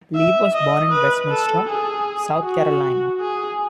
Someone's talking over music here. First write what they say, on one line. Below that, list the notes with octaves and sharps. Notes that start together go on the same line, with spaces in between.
Lee was born in Westminster, South Carolina.
E5
D#5
B4
A4
G#4
F#4
G#4